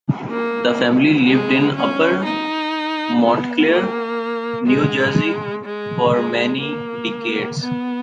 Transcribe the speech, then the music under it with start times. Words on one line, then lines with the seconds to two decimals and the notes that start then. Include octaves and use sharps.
The family lived in Upper Montclair, New Jersey for many decades.
0.30 A#3
1.27 G#3
1.76 C#4
2.24 D#4
3.22 B3
3.70 A#3
4.67 G#3
5.65 G#3
6.13 G#3
6.61 A#3
7.59 B3